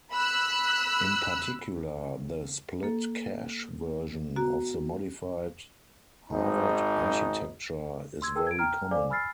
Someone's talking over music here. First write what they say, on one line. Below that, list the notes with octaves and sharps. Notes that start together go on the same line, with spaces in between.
In particular, the "split cache" version of the modified Harvard architecture is very common.
B5 E6 F#6
A#3 A4
B3 F#4 A#5
G#1 G#2 D#4
C6 E6 G#6
G#4 A#4 G5 A5 E6
G#6 D7
G5 A#5 F6
A4 C5 D5 F5 G#5 D6
G#5 B5 E6 F6 A6 C7